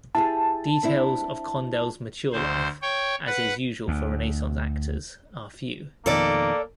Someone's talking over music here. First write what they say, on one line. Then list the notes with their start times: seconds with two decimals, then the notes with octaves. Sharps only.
Details of Condell's mature life, as is usual for Renaissance actors, are few.
0.15 E4 G4 G#4 A5
0.83 C4 D4 E4
2.33 D2 C5
2.82 C#5 G5
3.27 B4 F#5
3.88 D2
6.06 F2 B2 D#3 A#3 A4 D5